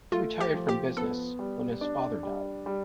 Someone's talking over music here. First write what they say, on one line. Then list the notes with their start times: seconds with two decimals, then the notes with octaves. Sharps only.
He retired from business when his father died.
0.12 A3 F4
0.40 G4
0.54 F3
0.69 G4
0.97 B3 A4
1.39 G3
1.81 D4
2.23 G3
2.66 G3